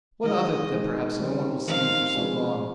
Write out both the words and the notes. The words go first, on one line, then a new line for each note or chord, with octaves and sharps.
What of it that perhaps no one will see you for so long?
D#3 G#3 D#4 D#5
D#3 G#3 D#4
D#3 G3 C4
D#3 G3 C4 F5
C3 F3 G#3 D4